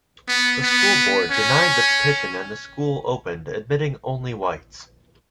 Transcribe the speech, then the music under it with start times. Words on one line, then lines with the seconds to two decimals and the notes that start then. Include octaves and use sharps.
The school board denied the petition and the school opened, admitting only whites.
0.28 B3
0.63 B3
1.31 C#4